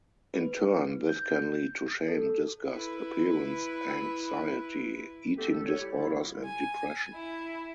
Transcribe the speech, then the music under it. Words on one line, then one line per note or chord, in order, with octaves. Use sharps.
In turn, this can lead to shame, disgust, appearance anxiety, eating disorders and depression.
B4
G6
A4
E4 B4
A3 B3 C4 G4 A4
A4
C#5
G3 E4 G4
D3 G3 E4 F4
G#5
E4